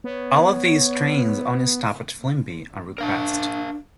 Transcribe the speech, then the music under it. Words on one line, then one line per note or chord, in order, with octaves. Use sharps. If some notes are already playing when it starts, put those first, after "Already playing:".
All of these trains only stop at Flimby on request.
B3 C#5
D4 A#4 F5 A5